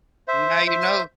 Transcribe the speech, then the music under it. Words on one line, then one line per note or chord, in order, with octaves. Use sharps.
Now you know.
C5 E5
C5 E5